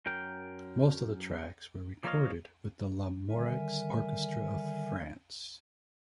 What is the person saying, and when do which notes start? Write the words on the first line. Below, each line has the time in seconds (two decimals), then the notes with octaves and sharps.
Most of the tracks were recorded with the Lamoureux Orchestra of France.
0.06 F#2 F#3 A#4 G5
2.04 F3 A#3 F4 C#5 D#5 F5
3.30 D3 D#3 G3 A#4 E5 G#5